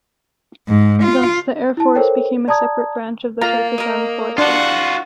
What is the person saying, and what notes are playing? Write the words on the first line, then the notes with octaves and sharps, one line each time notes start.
Thus, the Air Force became a separate branch of the Turkish Armed Forces.
G#2
F4
E4 A5
A4 A#4 C5 C#5 G5
D5 A5 A#5 D#6 G#6
A#3 F4 A#5
A#4 D#5
D4 F4 F#4 F#5